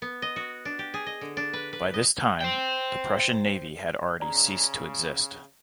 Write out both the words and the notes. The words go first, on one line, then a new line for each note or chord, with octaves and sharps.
By this time, the Prussian Navy had already ceased to exist.
B3
D#5
F#4
D4
G4
G#4
D#5
D3
D4
B4
B4
D#5
C5 G5
C#3 D5 A#5